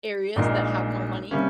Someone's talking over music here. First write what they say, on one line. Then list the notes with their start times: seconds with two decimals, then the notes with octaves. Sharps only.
areas that have more money.
0.36 A#1 A#2 G#3 D#4 A#4
1.31 C3 G3 A#3 C#4